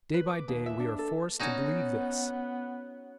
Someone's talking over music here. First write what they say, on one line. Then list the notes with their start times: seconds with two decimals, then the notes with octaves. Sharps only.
Day by day we are forced to believe this.
0.14 B4
0.29 D6
0.48 D#2
0.66 E5
0.80 D4
0.99 A4
1.40 B3 C#4 D#4 F#4